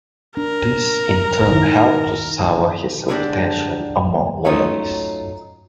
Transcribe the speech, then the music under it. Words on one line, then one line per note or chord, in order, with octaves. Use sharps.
This in turn helped to sour his reputation among Loyalists.
D4 A#4
D#3 E4
D3 G#3 A#3 D4 G4
F#3 A3 C#4 D#4 F4